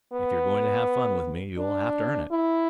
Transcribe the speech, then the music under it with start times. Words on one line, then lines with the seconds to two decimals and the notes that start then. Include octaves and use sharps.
If you're going to have fun with me you'll have to earn it.
0.12 B3
1.58 D4
2.31 E4